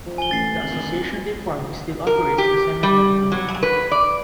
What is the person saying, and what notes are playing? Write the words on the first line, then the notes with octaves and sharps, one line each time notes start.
The association they formed still operates the cemetery today.
F3
G#5 G7
A1 A6 C7
G#1 F#7
F1
A#4
G4
G3
F#3
B4
D5